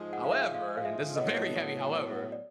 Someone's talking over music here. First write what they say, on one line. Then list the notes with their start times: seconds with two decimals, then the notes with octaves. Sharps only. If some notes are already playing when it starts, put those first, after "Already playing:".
however, and this is a very heavy however,
Already playing: G#2 F3 G#3
0.13 F#5
0.24 F5
0.32 E5
0.40 F5
0.54 F5
0.77 F5
0.85 E5
1.16 A2 F#3 B3 D#5
2.32 D5